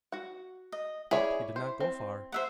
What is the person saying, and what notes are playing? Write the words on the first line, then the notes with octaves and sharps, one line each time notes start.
But he did not go far.
F#4 F#5
D#5
E4 G#4 C#5 D5
C5
C4
C5 E5 F#5